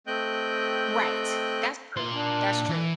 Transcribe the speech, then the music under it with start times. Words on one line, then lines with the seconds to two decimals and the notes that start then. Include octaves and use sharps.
Right, that's true, that's true,
0.07 A3 C4 D#5 G5 F#6 G6
1.96 A#2 C6
2.13 D4
2.69 E3